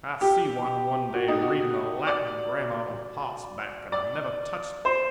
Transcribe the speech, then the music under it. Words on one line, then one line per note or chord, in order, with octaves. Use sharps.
I see one, one day, reading a Latin grammar on hossback, and I never touched him!
G4
F#4
D#4
F#4
D5
D5
C5